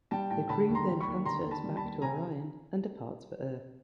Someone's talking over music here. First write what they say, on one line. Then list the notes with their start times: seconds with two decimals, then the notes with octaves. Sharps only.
The crew then transfers back to Orion and departs for Earth.
0.11 G3 G5 A5
0.30 A2 G5 A5
0.49 D3 A5 B5
0.69 D#2
0.75 A#5 C6
0.88 G3
1.01 B5 C#6
1.07 D#2
1.25 D3 A#5 C6
1.45 D#2
1.51 A5 B5
1.64 G3
1.77 A5 B5
1.83 D#2
2.02 C3 G#5 A#5